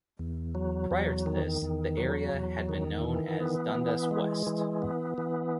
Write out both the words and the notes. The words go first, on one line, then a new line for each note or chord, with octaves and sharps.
Prior to this, the area had been known as Dundas West.
E2
F#3
E2
D#3
E2
F#3
E2
D#3
E3
B3
E3
G#3
E3
B3
E3